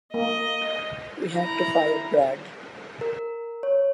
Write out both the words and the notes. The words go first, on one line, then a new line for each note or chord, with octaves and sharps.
We had to fire Brad.
A#3 D#5
E4 A#5
A#4
C#5